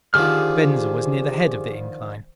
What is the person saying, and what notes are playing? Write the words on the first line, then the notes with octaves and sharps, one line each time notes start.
Venza was near the head of the incline.
D3 D#3 F3 G4 G#4 F6